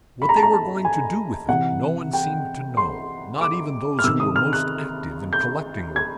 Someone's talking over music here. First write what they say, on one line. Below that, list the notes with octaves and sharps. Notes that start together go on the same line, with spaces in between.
What they were going to do with it no one seemed to know, not even those who were most active in collecting work.
B5
A#5
A5
A#5
A5
G#5
C3 E3 F#5
G5
C6
D6
F6
C3 D#3 E6
D#6
F6
F#6
G6
G#6